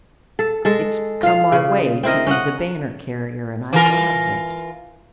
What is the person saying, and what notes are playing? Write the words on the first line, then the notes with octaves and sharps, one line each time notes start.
It's come my way to be the banner-carrier, and I'm glad of it.
A4
G#3 A4
F4 F5
C#3
C4 E4 A#4 D#5
C#4 D#5 F#5
E3 F4 A#4